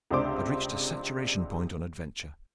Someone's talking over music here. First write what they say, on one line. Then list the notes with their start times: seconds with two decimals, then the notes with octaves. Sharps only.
I'd reached a saturation point on adventure.
0.11 C#2 C3 D4 C5 D6